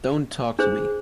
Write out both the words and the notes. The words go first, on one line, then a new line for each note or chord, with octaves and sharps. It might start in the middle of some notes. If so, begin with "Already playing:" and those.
Don’t talk to me.
D4 G#4 C5